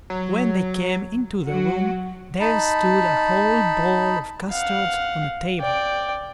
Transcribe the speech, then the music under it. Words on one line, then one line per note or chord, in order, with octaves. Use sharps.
But when they came into the room, there stood a whole bowl of custards on the table.
F#3
F#3 F#4
D#4 A5 B5
F5 F#5
D5 G5